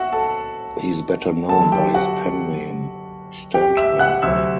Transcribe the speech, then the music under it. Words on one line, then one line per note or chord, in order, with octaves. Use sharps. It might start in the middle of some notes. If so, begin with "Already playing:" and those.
He is better known by his pen name Stendhal.
Already playing: F#4 E5 F#5
A4 A5
F#2 D3 F#3 A4 A5
G4 G5
F#4 F#5
G4 G5
E5 E6
F#5 F#6
D2 C3 F#3 E5 E6